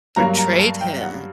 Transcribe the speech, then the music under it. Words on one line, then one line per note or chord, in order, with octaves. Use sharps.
portrayed him
G2 F#3 A#3 A#5
A#5
A5
G5
F#5